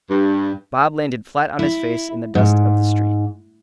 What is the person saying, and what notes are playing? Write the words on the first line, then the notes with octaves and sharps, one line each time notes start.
Bob landed flat on his face in the dust of the street.
G2
E4
G#2